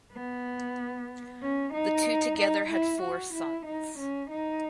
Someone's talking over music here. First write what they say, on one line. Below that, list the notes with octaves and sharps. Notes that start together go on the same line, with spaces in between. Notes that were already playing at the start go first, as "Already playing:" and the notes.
The two together had four sons.
B3
C#4
D#4
D#4
E4
F#4
E4
D#4
C#4
D#4